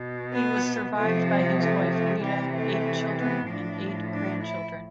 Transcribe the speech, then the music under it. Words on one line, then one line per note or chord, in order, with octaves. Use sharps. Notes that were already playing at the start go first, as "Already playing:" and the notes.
He was survived by his wife, Rita, eight children and eight grandchildren.
Already playing: B2
B3
C3 F3 A3
C4
A3
A3
C3 E3 G3
A3
B3
A2 F3 D4
D4
E4